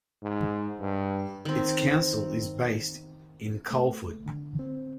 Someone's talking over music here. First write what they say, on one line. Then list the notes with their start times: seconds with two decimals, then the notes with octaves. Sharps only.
Its council is based in Coleford.
0.23 G#2
0.80 G2
1.45 D#3 C4
3.71 A3
4.26 D3
4.59 C4